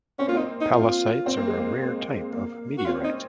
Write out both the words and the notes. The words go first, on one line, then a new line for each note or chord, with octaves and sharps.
Pallasites are a rare type of meteorite.
C4 C#4
A#3 F4
C4 D#4
D#4
F4
C4
A#3
G#3
A#3
A#3
F#4
C4 F4
C#4
C4 D#4